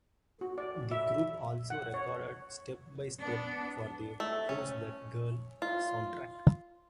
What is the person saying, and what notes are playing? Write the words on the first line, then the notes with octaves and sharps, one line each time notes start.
The group also recorded "Step by Step" for the "Who's That Girl" soundtrack.
F#4
D5
E5
F#5
C#5
B3 D4
A3
C#4
F4